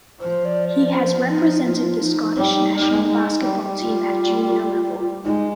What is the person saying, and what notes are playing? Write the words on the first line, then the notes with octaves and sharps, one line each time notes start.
He has represented the Scottish national basketball team at junior level.
F3 C5
D5
D5
C5
D#4
F4
D#4
F4
D#4
G3
G#3
G#3
G3
F4
G#3 D#4